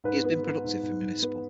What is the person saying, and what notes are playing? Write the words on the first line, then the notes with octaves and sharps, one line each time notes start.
He has been productive for Municipal.
G#2 B4
B3
B3
G#2
G#2
G#2
B3